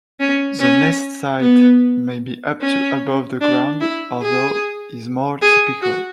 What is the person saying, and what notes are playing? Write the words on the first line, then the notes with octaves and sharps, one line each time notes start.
The nest site may be up to above the ground, although is more typical.
C#4
C#4
B3
C#4
D4
E4
G#4
G#4
F#4